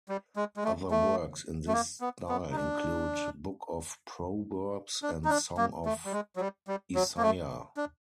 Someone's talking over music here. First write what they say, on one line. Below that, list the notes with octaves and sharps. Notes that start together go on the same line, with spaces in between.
Other works in this style include "Book of Proverbs" and "Song of Isaiah".
G3
G#3
G#3
A3
A3
A3
A#3
B3
B3
D#4
D4
D4
D#4
D4
A#3
A3
G3
G#3
F#3
G3
G3
F#3
A#3
A3
D4